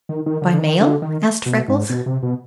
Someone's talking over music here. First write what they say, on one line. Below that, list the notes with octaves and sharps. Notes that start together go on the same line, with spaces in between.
"By mail?" asked Freckles.
D#3
D#3
D3
D3
D#3
D3
D#3
B2
G#2
B2
C3
B2